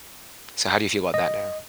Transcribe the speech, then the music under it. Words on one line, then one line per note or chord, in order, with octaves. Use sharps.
So how do you feel about that now?
D#5